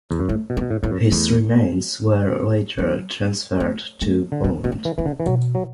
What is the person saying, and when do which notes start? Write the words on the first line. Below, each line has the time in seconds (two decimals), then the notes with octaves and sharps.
His remains were later transferred to Poland.
0.11 E2
0.20 F#2
0.29 A2 A3
0.50 B2
0.57 B3
0.61 B2
0.71 A2
0.83 A2 B3
0.91 F#2
1.11 E2 A3
2.78 F#3
3.60 A3
4.02 A3
4.32 D3
4.44 B2 B3
4.64 B2 B3
4.72 A3
4.85 E3
4.98 E3 B3
5.06 D3
5.20 E3
5.26 B2 F#3
5.55 F#3